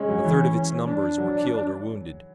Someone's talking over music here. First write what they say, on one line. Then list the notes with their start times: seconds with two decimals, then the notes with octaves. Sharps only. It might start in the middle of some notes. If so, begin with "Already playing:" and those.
A third of its numbers were killed or wounded.
Already playing: G#3 C#4
0.09 F#3
0.25 E3
0.87 D4
1.18 F#3